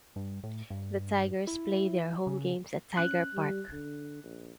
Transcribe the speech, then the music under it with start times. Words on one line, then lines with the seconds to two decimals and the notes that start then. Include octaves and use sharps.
The Tigers play their home games at Tiger Park.
0.16 G2
0.44 A2
0.70 G2
1.47 E4
2.27 C#3
2.97 C#4 F#6
3.34 G3
3.73 D3
4.24 A#1